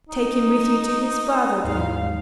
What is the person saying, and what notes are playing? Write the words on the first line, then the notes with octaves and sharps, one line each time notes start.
"Take him with you to his father then."
D#4
D#2 G#2 F5